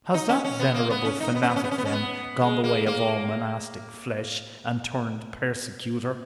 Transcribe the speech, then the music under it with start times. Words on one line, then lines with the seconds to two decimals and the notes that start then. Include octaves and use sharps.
Has that venerable fanatic, then, gone the way of all monastic flesh, and turned persecutor?'
0.14 D#4
0.29 C#4
0.44 C#4
0.60 B3
0.74 A#3
0.90 B3
1.05 C#4
1.20 D#4
1.35 B3
1.42 C#4
1.49 B3
1.56 C#4
1.64 B3
1.71 C#4
1.78 B3
1.85 C#4
1.92 B3
2.41 G#3
2.64 A#3
2.86 A#3